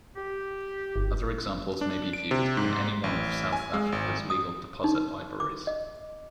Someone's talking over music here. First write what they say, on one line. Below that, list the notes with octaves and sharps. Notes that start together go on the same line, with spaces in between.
Other examples may be viewed in any one of South Africa's legal deposit libraries.
G4
G1
D4
D7
C3
G#2
A1
G#5
G#3
G#1
D#6
D#4
D6
D#5